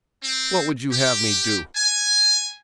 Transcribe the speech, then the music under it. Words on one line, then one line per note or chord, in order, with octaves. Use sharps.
'What would you have me do?
C4
G4
G#5